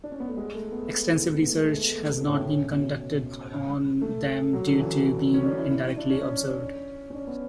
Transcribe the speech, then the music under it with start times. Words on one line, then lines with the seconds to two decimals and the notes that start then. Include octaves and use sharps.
Extensive research has not been conducted on them due to being indirectly observed.
0.04 D4
0.12 C#4
0.20 B3
0.28 A3
0.37 G#3
0.55 A3
0.72 B3
1.41 B3
1.48 A3
1.56 G#3
1.64 A3
1.83 B3
1.94 A3
2.07 G#3
2.20 C#3
2.28 A2
2.33 B2
2.46 C#3
2.72 B2
4.01 A3
4.53 F#3
4.67 D3
4.79 E3
4.93 F#3
5.34 C#4
5.46 D4
5.57 E4
5.70 E4
5.84 E4
5.97 D4
6.10 C#4
7.10 C#4
7.14 D4
7.27 B3